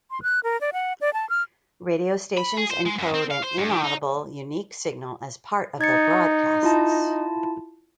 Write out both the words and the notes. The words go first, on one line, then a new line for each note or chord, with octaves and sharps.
Radio stations encode an inaudible, unique signal as part of their broadcasts.
C6
F#6
A#4
D5
F#5
D5
A5
F6
B5
G#4
C5
G#3
F#2
C4
F5
C5
G2
D#3
D#4
D#4 G#6 A6 C#7
E4 F4 A5